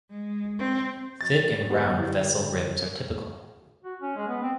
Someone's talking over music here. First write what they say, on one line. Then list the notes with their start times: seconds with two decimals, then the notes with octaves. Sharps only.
Thick and round vessel rims are typical.
0.11 G#3
0.59 C4
1.21 F3 F#4 D#5 A6
1.69 F#2 D3 D#3 B3 F#4 G4 F5
1.98 G3 E4 C5 D#5
3.85 F#4
4.01 C#4
4.17 G#3
4.29 B3
4.43 C4